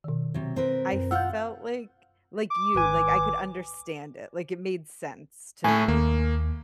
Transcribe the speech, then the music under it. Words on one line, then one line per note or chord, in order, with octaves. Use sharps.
I felt like like you, like, I could understand it, like, it made sense to me,
B2 D#3
C3 F#3
C4 A#4 B4
F#2
F4 F#5 E6 F6 G6
D6
G#1 B4 G#5
A2 A3 G#5
D#2 A#3